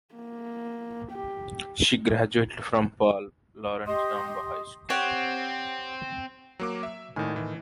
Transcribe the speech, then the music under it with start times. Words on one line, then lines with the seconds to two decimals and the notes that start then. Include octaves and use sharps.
She graduated from Paul Laurence Dunbar High School.
0.14 A#3
1.12 G4
3.87 G4 D#5 C6 D#6
4.90 C4 G4 C#5 F#5
6.59 F#3 A#3 D6
6.83 E5
7.16 G#1 A2 D#3 G#5
7.36 E3